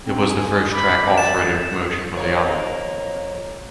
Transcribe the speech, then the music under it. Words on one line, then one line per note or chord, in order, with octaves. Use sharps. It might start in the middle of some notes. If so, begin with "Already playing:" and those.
It was the first track offered in promotion for the album.
C4
G#5
B5 D6
A6 E7
F2 A#3 C#5